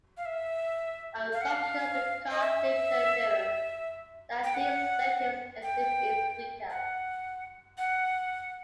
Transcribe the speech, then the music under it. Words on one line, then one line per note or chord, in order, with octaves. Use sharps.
The assumption of the Karp-Lipton theorem, that these circuits exist, is weaker.
F5
E5
F5
F#5
F5
D#5
E5
G5
F#5
G5
F#5
F#5